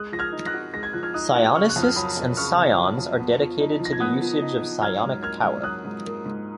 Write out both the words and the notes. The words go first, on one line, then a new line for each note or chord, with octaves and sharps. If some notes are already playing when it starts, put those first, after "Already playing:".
Psionicists and Psions are dedicated to the usage of psionic power.
Already playing: G#3 D#6 F#6
F3 A#6
F6 G#6
D#4
F#6 A#6
F#4
G#3 A#6
G#6
F3 F#6
F6 G#6
D#4 D#6 F#6
F#4
C#3 C#6 F6
F#6
F2
F6
F#3 B5 D#6
F2
C#3 C#6 F6
F2
F#3
F2
B3
F3
D#4
F3
A#6
G#6
B3 D#6 F#6
F3
D#4
F3
F#3 F6 G#6
G#2
A#3 F6 G#6
G#2
F#3 D#6 F#6
G#2
A#3
G#2